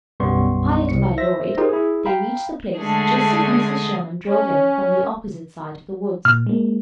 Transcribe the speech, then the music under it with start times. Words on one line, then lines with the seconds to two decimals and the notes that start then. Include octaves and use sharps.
Piloted by Lloyd, they reached the place just as Mrs. Sherman drove in from the opposite side of the woods.
0.20 B1 F#2 G3 B3 C6 C#6
0.89 C2 C#7
1.18 C5 E5 A#6
1.58 D#4 F4 G4 G#4 A#4 C5
1.69 E4 G#4
2.06 F5 G5 A#5 B5
2.78 D3 G#3 A3 D4 G#4
4.27 C#4
6.25 A#2 F6
6.47 G#3 A#3